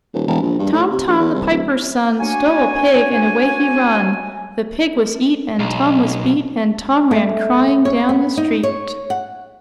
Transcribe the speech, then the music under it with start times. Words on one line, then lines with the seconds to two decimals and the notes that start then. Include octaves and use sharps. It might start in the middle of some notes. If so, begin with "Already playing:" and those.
Tom, Tom, the piper's son, Stole a pig and away he run; The pig was eat and Tom was beat And Tom ran crying down the street.
0.14 D#1
0.27 E1
0.42 A#1
0.59 G2
0.73 A2
0.90 C3
1.07 A#1
1.19 E2
1.35 C2
1.49 D1
2.20 D4 F#4 C#5 G#5
5.59 B1
7.11 A3
7.85 C#5
8.09 B3
8.37 D#4
8.63 C#5
9.10 F#5